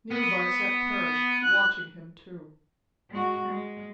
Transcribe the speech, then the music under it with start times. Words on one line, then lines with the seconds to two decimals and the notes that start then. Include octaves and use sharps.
Near by sat Parrish, watching him too.
0.11 B3
1.42 F#6
3.10 G#3 F#4
3.47 G#3